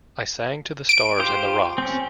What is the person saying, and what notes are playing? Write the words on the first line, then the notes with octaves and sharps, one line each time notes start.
I sang to the stars and the rocks.
D7
F4 G4 C5
C4 C#4